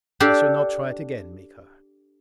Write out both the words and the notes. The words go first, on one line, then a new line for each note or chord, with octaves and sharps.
"I shall not try it again, Miko."
D4 G4 A4 F5